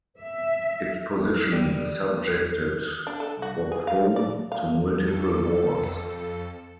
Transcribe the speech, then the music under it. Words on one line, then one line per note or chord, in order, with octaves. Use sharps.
Its position subjected Bapaume to multiple wars.
E5
G3
D4
A4
F#4
G#4
F5
D5
F5
F2 A4